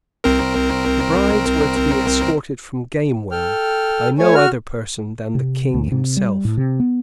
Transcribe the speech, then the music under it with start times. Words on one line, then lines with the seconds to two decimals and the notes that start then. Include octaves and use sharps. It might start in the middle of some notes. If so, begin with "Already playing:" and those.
The brides were to be escorted from Gamewell by no other person than the King himself.
0.24 C2 C4 A#4
3.31 A4 G5 F6
4.18 A3 C#5 G#5
4.35 F#4 F6
5.35 C3
5.74 D2
5.92 C3
6.17 G3
6.45 A2
6.57 C3
6.80 B3